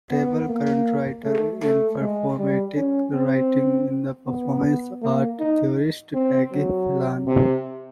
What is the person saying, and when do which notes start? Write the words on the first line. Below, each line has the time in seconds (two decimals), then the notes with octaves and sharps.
A notable current writer in performative writing is the performance art theorist Peggy Phelan.
0.11 B3
0.49 A#3
1.24 A3
1.62 A3
2.00 G#3
2.38 G3
2.75 C#4
3.13 C4
4.26 B3
5.02 A#3
5.40 D#4
6.14 C4
6.52 F#3
7.27 C3